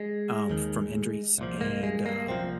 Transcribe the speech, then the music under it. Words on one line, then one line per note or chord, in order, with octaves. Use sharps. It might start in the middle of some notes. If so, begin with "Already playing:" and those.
um, from injuries and, um,
Already playing: G#3
D#2 D#3
C2 A#2 F3
A#3
G#3
A#3
C2 A#2 F3 C4